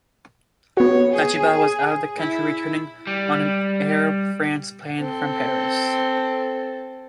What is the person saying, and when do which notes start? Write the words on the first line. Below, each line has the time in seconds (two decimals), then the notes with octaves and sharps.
Natchaba was out of the country, returning on an Air France plane from Paris.
0.77 B3 F#4 C#5
1.12 G#4
2.18 E4
3.07 G3
5.00 C4 A4